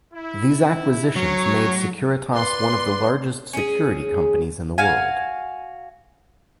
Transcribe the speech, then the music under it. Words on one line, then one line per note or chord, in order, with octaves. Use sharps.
These acquisitions made Securitas one of the largest security companies in the world.
E4
F#3 C#4 C#5
B4 D5 C6
C#4 G#4
F#4 F5 G#5